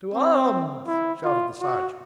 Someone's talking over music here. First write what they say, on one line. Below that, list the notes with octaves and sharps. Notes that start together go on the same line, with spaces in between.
"To arms!" shouted the sergeant.
C4
E4
F4
F#4